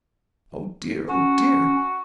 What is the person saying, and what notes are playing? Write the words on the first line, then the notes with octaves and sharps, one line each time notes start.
Oh, dear, oh, dear!
C#4 F#4